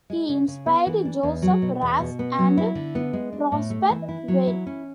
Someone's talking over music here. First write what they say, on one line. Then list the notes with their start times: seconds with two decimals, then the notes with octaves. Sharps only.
He inspired Joseph Raz and Prosper Weil.
0.10 G#3
0.29 C#3
0.48 C#3
0.66 B3
0.86 E3
1.05 D4
1.23 E2
1.42 F#3
1.62 B2
1.81 E2
1.99 B2
2.19 B3
2.38 F#3
2.57 E4
2.75 D3
2.95 B3
3.13 G#3
3.33 D4
3.52 A2
3.70 A3
3.90 E3
4.09 E4
4.28 F#3
4.47 E4
4.67 C#4